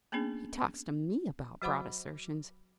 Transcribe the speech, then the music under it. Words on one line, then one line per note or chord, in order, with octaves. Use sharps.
He talks to me about broad assertions!
A#3 B3 C#4 D4 G#4
F#3 F#4 C5 F#5 B5 D6